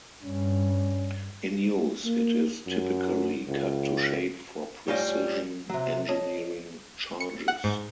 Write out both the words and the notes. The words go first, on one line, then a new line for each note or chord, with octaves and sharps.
In use, it is typically cut to shape for precision engineering charges.
G2 C#4
A#3
F#2
C#2
A2 G3 C#4 F4 D#5 G#5
C3 F#3
C#5 D#5 A5
C#7
F#5
G#2